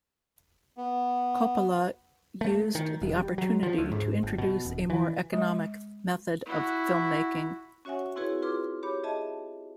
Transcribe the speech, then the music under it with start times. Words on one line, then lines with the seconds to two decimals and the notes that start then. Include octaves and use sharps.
Coppola used the opportunity to introduce a more economic method of filmmaking.
0.77 B3
2.41 A3
2.75 D#3
3.02 E1
3.16 G3
3.38 F#3
3.63 F3
3.78 D2
3.92 G#2
4.23 G1
4.38 B2
4.65 D#1
4.90 E3
5.33 G#3
6.46 E4 F#4
7.85 C#4 F#4 C#5 E5 F#5 G#5
8.16 C4 E4 F#4 G#4 B4 C#5
8.42 F4 G#4 B4 C6 D6 F6
8.83 G4 C#5 B5 D6
9.04 G#4 D#5 E5 A5